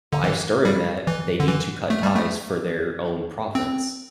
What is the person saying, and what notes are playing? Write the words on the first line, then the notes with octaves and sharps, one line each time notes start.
by stirring that, they need to cut ties for their own profits,
D3
E3
G3
E3
D3
E3
A3
G3
A3
C4